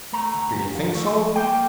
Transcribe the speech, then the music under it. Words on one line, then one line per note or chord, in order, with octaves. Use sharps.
"Do you think so?"
A3 A#5
D2
D2
F3
A3
F3
A#3 G5